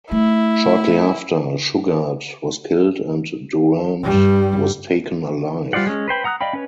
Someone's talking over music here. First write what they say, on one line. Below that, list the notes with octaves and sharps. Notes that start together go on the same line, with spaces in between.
Shortly after, Shughart was killed and Durant was taken alive.
A3 E4
G2 G3
G3 F4 C5 D5 F#5
G#3 C#4
B4 C5 G5 B5
F#5 A#5 D#6 F6 F#6
D5 D#5 F5 G5 B5
C#4 B4 C#5